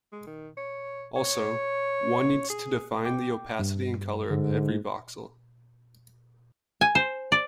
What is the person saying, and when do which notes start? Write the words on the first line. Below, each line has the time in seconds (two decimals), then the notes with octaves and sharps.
Also, one needs to define the opacity and color of every voxel.
0.12 G#3
0.27 D#3
0.57 C#5
1.16 C#5
2.50 G#4
3.05 G5 D6
3.59 G2
4.30 G#2 D3
6.81 G#5
6.95 C5
7.32 D5